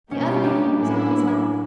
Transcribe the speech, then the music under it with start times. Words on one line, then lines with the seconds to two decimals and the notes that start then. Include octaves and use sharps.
The other hand was on his lap.
0.11 B2 G3 A#3 C#4 D#4 G4
0.44 D4
0.76 A2 F#3 A#3 C#4 E4